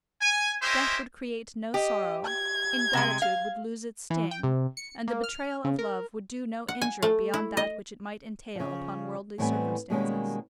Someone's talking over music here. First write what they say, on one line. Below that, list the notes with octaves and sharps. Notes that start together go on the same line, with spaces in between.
Death would create no sorrow; ingratitude would lose its sting; and the betrayal of love would do no injury beyond that which it might entail upon worldly circumstances.
G#5
C#4 E4 G4 C5 D#5 E5
G4 D#5
G#6
C3 G#3
F5
E3
G5
C3
C#7
A#3
F6
C#3
A#4
F#5
G#5
A3
E4
D#5
C#3 F3
A2 E3 G3 B3 C4 G#5
B2 D#3 G3 G#3 A#3 C#4